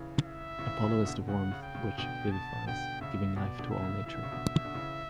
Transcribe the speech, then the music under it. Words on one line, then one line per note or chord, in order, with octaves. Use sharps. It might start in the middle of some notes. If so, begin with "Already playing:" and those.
Apollo is the warmth which vivifies, giving life to all Nature.
Already playing: C#3 E3
E5
C#3 E3
C#3 E3
B2 D3
C#3 F#5
C#3
G5
C#3
B2 D3 G5
A5
B2 D3 G5
C#3 E5
B2 D5
B2 D3
E5
C#3
E3 E5
D3
C#3
B2 D3
D3
C#3 E3